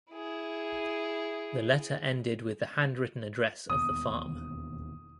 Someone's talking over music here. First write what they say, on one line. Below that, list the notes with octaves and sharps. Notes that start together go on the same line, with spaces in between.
The letter ended with the handwritten address of the farm.
E4 G#4
E1 D#2 B3 D#6